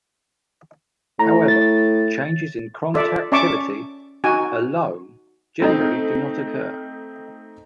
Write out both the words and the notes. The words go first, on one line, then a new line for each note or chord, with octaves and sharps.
However, changes in contractility alone generally do not occur.
A2 A#5
A6
F4 A4 D5 E5
C#4 D5 E5 A5 C#6 D6
D#4 F#4 G#5
A3 C4 D#4